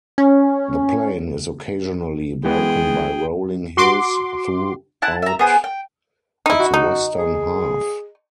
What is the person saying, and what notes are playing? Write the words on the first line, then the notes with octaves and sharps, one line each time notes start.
The plain is occasionally broken by rolling hills throughout its western half.
C#4
E3 G#3 B3 G#4 G5
F#4 C6 D6
E4 F#5 A5
E5 A#5
B3 G#4 C5
G5
D#4 E4
F#4
D#4
G#4